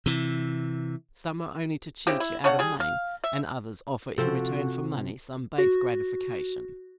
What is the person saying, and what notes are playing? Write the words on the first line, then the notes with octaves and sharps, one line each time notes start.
Some are only to cheat you out of money, and others offer in return for money some base gratification.
C3 E3
C#3 C4 E4 G4
E4
C#3 D4 C#5 F#5
G3 G#4
F5
E5
C3 F3 C4 F#4 A4
F#4